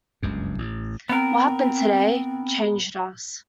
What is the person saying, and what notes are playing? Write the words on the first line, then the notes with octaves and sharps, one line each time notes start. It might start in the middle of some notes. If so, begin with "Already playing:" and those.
What happened today changed us.
F#1 C#2 G2
A1
B3 C4 A#4